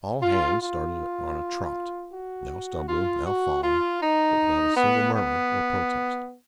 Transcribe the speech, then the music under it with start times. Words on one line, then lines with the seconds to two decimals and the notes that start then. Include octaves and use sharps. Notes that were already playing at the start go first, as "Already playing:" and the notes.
All hands started on a trot, now stumbling, now falling, but without a single murmur, or protest.
0.23 F4
0.61 F4
2.13 F#4
2.89 F4
3.26 F#4
3.63 F4
4.02 D#4
4.77 B3
5.15 B3